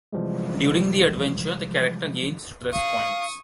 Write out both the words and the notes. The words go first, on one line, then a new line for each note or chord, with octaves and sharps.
During the adventure, the character gains stress points.
C3 E3 F3 G3 G#3
F5 C#6 D#6